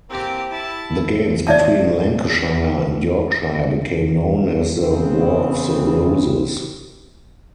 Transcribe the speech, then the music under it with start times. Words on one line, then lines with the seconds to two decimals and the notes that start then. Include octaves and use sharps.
The games between Lancashire and Yorkshire became known as the "War of the Roses".
0.10 E3 A#3 C4 G4
0.51 E4 A5
1.47 D5 E5 A5
4.79 E2 C#3 B3 C4